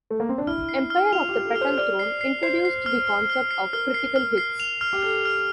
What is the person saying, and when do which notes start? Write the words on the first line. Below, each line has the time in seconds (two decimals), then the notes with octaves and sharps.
"Empire of the Petal Throne" introduced the concept of critical hits.
0.10 A3
0.20 A#3
0.29 C4
0.38 D4
0.47 E4 F6
0.69 C7
0.90 F6
1.12 F4 F7
1.29 G4 F6
1.45 A4
1.56 F6
1.61 C5
1.78 D5 F6
1.99 C7
2.21 C7
2.43 C5 C7
2.65 C7
2.86 F6
3.07 F6
3.30 F6
3.51 C7
3.73 A#4 F6
3.94 C7
4.16 F6
4.38 C7
4.60 F7
4.81 F6
4.93 G4
5.03 A4 F6
5.25 F6